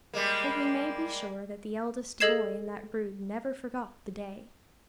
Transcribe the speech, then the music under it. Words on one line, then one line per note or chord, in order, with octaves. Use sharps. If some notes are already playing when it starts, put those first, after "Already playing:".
And we may be sure that the eldest boy in that brood never forgot the day.
G3 G#3 A#3
G#4 A4 D#5 G#6 C7 E7